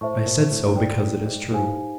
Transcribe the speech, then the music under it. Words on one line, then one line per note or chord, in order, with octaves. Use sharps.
"I said so, because it is true."
A2 C5 E5 A5 C#6
A2
A#2
A2
A2
G#2 A4 D5 G5
A2
G#2
A2 D#4 G4 C5 F5 G#5